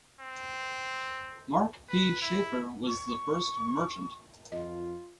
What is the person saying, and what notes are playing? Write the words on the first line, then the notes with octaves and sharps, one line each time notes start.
Mark P. Sheffer was the first merchant.
C4
B4
E4
C#6
F2 F4 D#5